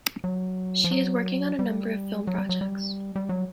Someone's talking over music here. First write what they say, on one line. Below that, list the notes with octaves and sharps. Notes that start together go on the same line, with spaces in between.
She is working on a number of film projects.
F#3
F3
F#3
G3
F#3
G3
F#3
G3
G3
F#3